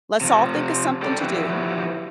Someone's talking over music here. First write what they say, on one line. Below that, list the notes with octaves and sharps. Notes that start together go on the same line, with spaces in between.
let's all think of something to do,
C3 F3
G4 A4 D5 G5
F3 E4 F#4 G4 B4